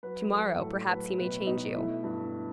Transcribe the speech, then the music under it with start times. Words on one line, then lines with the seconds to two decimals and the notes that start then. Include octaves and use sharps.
To-morrow, perhaps, he may change you.
0.03 F#3 B4
0.32 F#3 A4
0.60 A2 A4
0.89 F#3 B4
1.18 B2 B4
1.46 B2 D#4 D#5
1.75 A3 E4 E5
2.04 G2